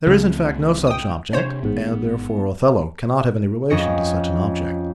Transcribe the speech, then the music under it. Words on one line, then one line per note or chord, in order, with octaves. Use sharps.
There is in fact no such object, and therefore Othello cannot have any relation to such an object.
C#2 C#3 A3 C4
G5 D#6
C3 D4 C5 C#5
A1 G#2 B3
F2 C#4 D#5 C#7